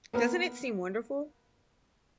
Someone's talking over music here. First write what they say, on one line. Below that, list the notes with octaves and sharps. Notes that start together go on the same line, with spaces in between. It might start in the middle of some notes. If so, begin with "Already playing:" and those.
Doesn’t it seem wonderful?
A#3 B3 A#4